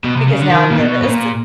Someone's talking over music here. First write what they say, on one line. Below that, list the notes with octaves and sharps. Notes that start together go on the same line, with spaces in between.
Because now I'm nervous.
B2
C3
C#3
D3
D#3
A#2
B2
B2
A#2